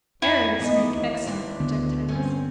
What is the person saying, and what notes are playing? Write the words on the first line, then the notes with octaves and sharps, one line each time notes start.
Errors make excellent projectiles.
F2 E4
E3 B3 D#4 D#5
D#2
C4 D4 B4
D2 D3 B3
G2 C4 C#4